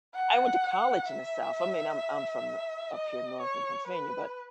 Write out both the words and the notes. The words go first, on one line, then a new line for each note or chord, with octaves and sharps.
I went to college in the South. I mean, I'm I'm from n up here North in Pennsylvania, but,
F#5
E5
D#5
C#5
B4